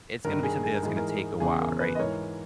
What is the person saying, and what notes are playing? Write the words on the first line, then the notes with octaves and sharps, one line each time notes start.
it's gonna be something that's gonna take a while, right?
G2 D#3 A#4
G#4
G#4
A#4
G#2 E3 G#4
A#4
G#4
E2 C#3 E3 G#4
A#4
G#4 B4
D#5
G#2 E3 A#4 C#5